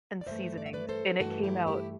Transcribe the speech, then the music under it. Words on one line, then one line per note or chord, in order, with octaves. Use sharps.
and seasonings, and it came out
D5
G2 E3 A3 C5 E5
D5
E5
B4 D5
A4 C5
G2 E3 A3 F#4 A4
E4 G4
E4 G4